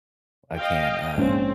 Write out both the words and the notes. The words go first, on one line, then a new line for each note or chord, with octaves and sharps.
I can't, uh,
D#5 F5 G5
A#1 G#2 C4 C#4